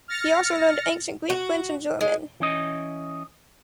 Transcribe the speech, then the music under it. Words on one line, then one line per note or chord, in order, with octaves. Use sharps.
He also learned ancient Greek, French and German.
F6 A6 A#6 C#7
F#4
G#3
E3 C#4 D#5